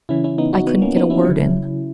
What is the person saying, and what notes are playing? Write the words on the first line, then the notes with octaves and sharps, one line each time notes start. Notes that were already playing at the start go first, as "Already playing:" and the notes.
I couldn't get a word in.
C#3 E3 C#4 E4
C#4 E4
B3 D#4
D#4 F#4
B3
A#3 C#4
B3 D#4
C#4 E4
C#3 F#3